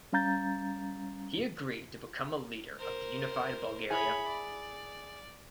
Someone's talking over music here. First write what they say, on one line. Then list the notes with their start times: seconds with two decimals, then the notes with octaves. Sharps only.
He agreed to become a leader of the Unified Bulgaria.
0.13 G3 C#4 F5 A#5 G6 A6
2.79 A#4 C5
3.90 E4 G#4 C#5 B5
4.27 D5